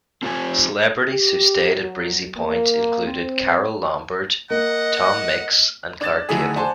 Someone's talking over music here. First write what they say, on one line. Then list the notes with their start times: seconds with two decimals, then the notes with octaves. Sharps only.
Celebrities who stayed at Breezy Point included Carole Lombard, Tom Mix and Clark Gable.
0.23 C4 F4 G4 C5 G#5
1.09 G4
1.80 F#3
2.37 A#3
3.05 C4
4.50 A#3 D#5 F#5
6.01 D4 G#6 A6 E7
6.29 D3 D#3 F#3 A3 E4 G#4
6.56 D4 C5 F#5 G#5 A5 C6